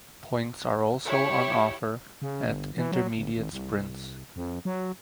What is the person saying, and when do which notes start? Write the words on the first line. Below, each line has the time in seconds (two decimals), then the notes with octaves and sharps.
Points are also on offer at intermediate sprints.
1.05 E4 G4 C#5
2.22 C#3
2.46 G1
2.77 E3
2.92 F#3
3.15 G1
3.36 G#1
3.52 C2
4.36 F2
4.65 F#3